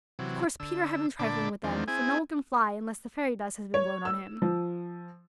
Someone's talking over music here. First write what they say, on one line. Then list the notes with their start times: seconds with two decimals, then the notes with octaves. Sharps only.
Of course Peter had been trifling with them, for no one can fly unless the fairy dust has been blown on him.
0.19 C3 E3 F#3
0.60 D3 E6
1.19 A#2 D3 D4 A5 B5 D6
1.64 E2 D#3 F3 C4 D4
1.88 C4 E4 G#4 G#5
3.74 C#5
4.05 E6
4.42 F3